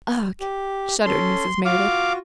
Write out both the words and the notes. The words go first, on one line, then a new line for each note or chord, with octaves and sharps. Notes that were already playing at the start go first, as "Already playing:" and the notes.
"Ugh!" shuddered Mrs. Merideth.
G4
C#4 A4 C6
F4 F#4 F5 D6